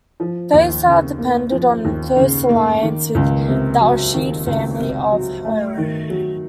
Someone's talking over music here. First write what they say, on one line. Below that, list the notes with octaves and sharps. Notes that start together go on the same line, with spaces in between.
Faisal depended on a close alliance with the Al Rashid family of Hail.
F3
D#2
C#3
A#3
F3
D#2
C#3
A#3
D#3
C#2
C3
F#3
D#3
C#2
C3
F#3
A3
D#3
F#3